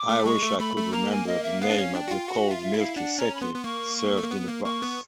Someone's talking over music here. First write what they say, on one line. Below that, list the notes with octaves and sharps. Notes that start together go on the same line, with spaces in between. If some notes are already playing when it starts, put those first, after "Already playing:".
I wish I could remember the name of the cold milky saké served in a box.
Already playing: D6
A3
G#3 C#6
A3
A3 B5
A3
A#3 A#5
G#5
D#5
E5
B3 F5
D4
C#4
D4 G5
F#4
F4
F#4 F#5
F4 E5
E5
E4
F5
D4 F#5
C#4 A#5
B5
B3 C6
B3
A#3 C#6
C#6
A3
A#3
B3
A#3
A#3 C#6
B3